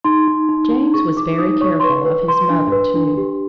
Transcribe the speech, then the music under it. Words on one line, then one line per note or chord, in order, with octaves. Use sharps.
James was very careful of his mother, too.
D#4 C6
D#4
D#4
D#4
G#4 C#6
D#4 D6
D#4 D#6
C#5 C#6
C6
B4 C#6
B4
B4 C6
D4
B4
D4
G4